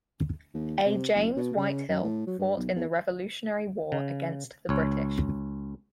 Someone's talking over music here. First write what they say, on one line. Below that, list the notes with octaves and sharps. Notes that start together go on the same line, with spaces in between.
A James Whitehill fought in the Revolutionary war against the British.
D#2
C3
F#1
B2
C#3
F#2
A2
F#3
G2
B1
E2
C#3
C#2 C#5